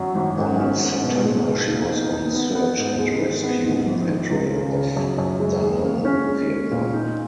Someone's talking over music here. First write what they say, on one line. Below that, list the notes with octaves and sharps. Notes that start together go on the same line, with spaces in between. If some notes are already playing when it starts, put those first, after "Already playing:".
On September she was on search and rescue patrol off Da Nang, Vietnam.
Already playing: F#2 F#3
G#1
G#2
C#4
G#2
B2
G#3
B2
A#3
D#4
D#4
B3
B3
G#2
G#3
D#3
B3
G#2
A#1
D#3
C#2
C#3
C#3
F#2
F#2
G#3
G#4
A#3
C#4
G#3
G#3
A#2
D#4